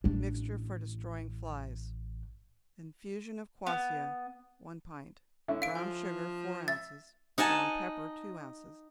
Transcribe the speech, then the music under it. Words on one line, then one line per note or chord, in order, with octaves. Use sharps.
Mixture for Destroying Flies--Infusion of quassia, one pint; brown sugar, four ounces; ground pepper, two ounces.
A1 D4
B3
D3 C#4 E4
F5 D7
F3 G#5
E5 A6
D#4 F#5 G#5 A5